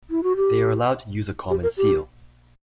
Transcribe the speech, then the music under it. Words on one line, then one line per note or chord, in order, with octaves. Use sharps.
They are allowed to use a common seal.
E4
F#4
G4
G4
A#4
G4